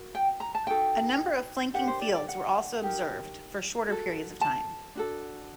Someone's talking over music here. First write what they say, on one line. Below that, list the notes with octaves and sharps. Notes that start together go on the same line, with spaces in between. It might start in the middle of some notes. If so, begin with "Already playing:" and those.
A number of flanking fields were also observed for shorter periods of time.
Already playing: F#4 A#4
G5
A#5
A5
D#4 F#4 A4 G5
D4 G4 A#4 F#5
C5
D5
D5
F#5
D#4 G4 A#4
F#4 A4
A5
D4 F#4 A4